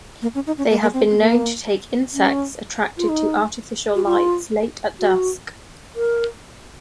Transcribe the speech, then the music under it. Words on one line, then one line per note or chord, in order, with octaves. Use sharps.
They have been known to take insects attracted to artificial lights late at dusk.
A#3
C#4
D#4
C#4
A#3
A#3
C4
C4
A#3
C#4
F4
D#4
F#4
F4
F#4
A#4